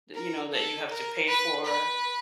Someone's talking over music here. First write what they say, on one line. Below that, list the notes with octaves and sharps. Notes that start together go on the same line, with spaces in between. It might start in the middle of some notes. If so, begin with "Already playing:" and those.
that, you know that you have to pay for.
A#4
A4
A#4
B4
B4